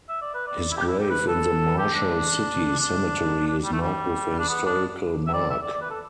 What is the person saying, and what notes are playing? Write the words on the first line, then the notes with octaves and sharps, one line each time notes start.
His grave in the Marshall City Cemetery is marked with a historical mark.
E5
D5
B4
D5
E4
G4
E4
G4
B4
A4
G4
D4
D4
D4
G3
A3
G3
D4
B3
D4
E5
D5
E5
D5
D5
B4
A4